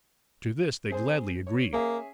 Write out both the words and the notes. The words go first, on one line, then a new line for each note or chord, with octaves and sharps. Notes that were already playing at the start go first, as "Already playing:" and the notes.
To this they gladly agreed.
C4 G#4 C5
C#5
A#3 C#4 G#4 E5